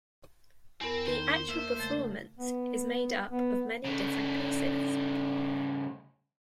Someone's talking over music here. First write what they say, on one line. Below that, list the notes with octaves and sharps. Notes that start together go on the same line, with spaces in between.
The actual performance is made up of many different pieces.
E2 B3 C4 A#4
D#3 C5
A#3 E5
C#3 A3 A6
B3
B3
C#3 A3